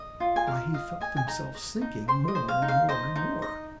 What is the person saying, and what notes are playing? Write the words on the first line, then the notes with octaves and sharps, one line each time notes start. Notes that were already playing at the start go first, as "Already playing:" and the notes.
Why, he felt himself sinking more and more and more.
Already playing: D#5
F4
G#5
A#4 F5
D#5 F5
D#5 G#5
G#5
D#4 A#5
D#5
D#4
C5 C6
D#5
C5
F5
D#4
F5
C5 D#5
D#4
D#5